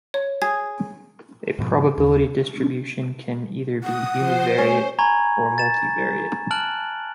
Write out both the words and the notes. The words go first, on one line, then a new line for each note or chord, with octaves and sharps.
A probability distribution can either be univariate or multivariate.
C#5
G#4 G#6
G#2 B2 F3
D#2
F#5 D#6
F3 C5
A3 C#4 G#5
G#5 A#5 B5 C#6 G#6
A6 E7
A5 F6 F#6 D7 F#7